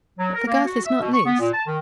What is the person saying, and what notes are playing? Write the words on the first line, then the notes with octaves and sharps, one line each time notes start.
"But the girth is not loose."
F#3
A#4
A#3
F#4
E5
B2
C#6
B3
A#2
A5
D#3